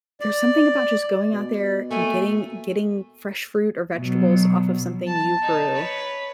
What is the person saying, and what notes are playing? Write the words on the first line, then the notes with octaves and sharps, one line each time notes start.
there’s something about just going out there getting getting fresh fruit or vegetables off of something you grew.
D5
B2
A3 A#3 G#5
B2 F#3
A5
D#4 A5
B4 C#5